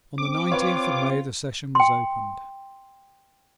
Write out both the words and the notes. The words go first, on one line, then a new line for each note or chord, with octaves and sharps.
On the nineteenth of May the session was opened.
C4 D6
F4 B4 C#5 F5
G5 C6